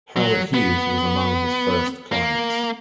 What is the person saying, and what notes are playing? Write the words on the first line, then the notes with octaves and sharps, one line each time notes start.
Howard Hughes was among his first clients.
F#3
B3
A#3